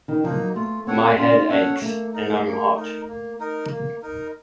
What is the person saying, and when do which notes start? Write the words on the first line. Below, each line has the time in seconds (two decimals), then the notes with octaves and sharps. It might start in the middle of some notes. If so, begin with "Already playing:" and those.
My head aches, and I'm hot.
0.08 D#3
0.24 F3 A#3 D#4
0.40 F#3
0.56 A3 F4
0.87 C4 A4 C#5 F#5
1.18 C#4 F4
1.35 D#4
1.50 C#4 A4 C#5 F#5
1.66 C#4
1.82 A3 A#3
2.13 D#4 A#4
2.45 A#3
2.76 D#4 A#4
3.08 A#3
3.39 D#4 A#4
3.71 A#3
4.02 D#4 A#4